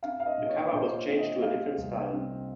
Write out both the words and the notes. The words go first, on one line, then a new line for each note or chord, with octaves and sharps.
The cover was changed to a different style.
C4 F5
F5
D#5
A#2
D#5
C#5
A#2 C5
C4
D#5
A3 F5
C2
C4